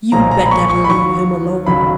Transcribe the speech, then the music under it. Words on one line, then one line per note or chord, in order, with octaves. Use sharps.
You'd better leave him alone.
B1 A#2 F3 G#3 A#5
A#5
B5
C#6
C#6
B5
D#2 D#3 F#3 C#6
F1 D#2 C#3 F#3 B5